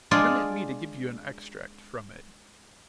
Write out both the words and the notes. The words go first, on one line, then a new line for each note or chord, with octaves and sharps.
Permit me to give you an extract from it.
G#3 D4 F4 G#4 D5